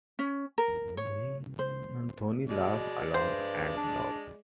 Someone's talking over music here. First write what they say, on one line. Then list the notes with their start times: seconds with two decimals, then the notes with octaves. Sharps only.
Anthony laughed long and loud.
0.19 C#4
0.58 A#4
0.97 C#5
1.59 C5
2.49 B2 G#3 D5
3.14 G2 C5
3.77 D4